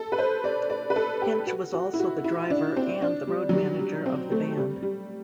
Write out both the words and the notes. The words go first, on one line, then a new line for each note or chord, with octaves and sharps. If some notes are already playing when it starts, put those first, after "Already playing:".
Hinch was also the driver and the road manager of the band.
Already playing: A4
B4
C5
D5
D5
B4
A4
G4
F#4
F#4
E4
F#4
E4
D4
C4
D4
G3
F#3
G3
G3
C4
A3
G3
G3